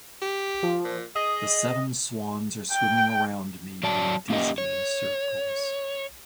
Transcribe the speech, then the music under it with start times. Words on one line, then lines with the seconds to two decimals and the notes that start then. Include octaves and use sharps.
The seven swans are swimming around me in dizzying circles.
0.22 G4
0.63 F3
0.84 A#2
1.15 G#4 D#5
2.72 G5
3.83 F#3 D5 A5
4.30 A#3 C#4 F4 G4 D5 D#5
4.58 C#5